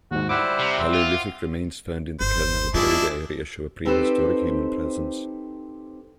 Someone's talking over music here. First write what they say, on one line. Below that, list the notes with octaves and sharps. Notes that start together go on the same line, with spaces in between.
Paleolithic remains found in the Can Albareda area show a prehistoric human presence.
D#2 G#2 F#4
G3 E4 C5 E5 F#5 D6
C3
C4
F4
G1 C5
G#3 D4 E4 F4
C4 D#4 G4 A4 B4 C5